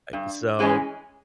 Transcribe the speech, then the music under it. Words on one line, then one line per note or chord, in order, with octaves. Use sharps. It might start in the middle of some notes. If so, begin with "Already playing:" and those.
I so
G2
E3 G#3 C#4